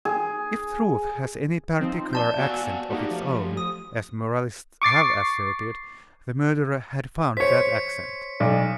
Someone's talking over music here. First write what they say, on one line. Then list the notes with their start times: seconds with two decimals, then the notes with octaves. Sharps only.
If truth has any particular accent of its own, as moralists have asserted, the murderer had found that accent.
0.05 G#4
1.79 F3 C4 D#4
2.13 D5 A5 G6
2.38 B3 F#4 F5 G#5 E6
2.90 A3 A#3 D#4 F#4 G4
3.10 F3
3.57 D#6
4.82 C#6 D6 A6 C7
7.37 C5 C#5 B6 C#7
8.40 B1 D5